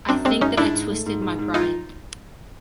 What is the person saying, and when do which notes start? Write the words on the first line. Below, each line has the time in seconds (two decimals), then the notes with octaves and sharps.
I think that I twisted my pride.
0.09 F#2 C4 D4
0.25 G#3 C4 D4
0.41 F#2 C#4 D#4
0.57 G#2 D4 E4
0.73 G#2
0.90 A3
1.06 G#2
1.22 G#2
1.39 G#2
1.54 F3 D#4 F4